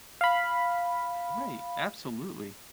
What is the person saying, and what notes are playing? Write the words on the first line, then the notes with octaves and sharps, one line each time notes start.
Right, absolutely.
F5 B5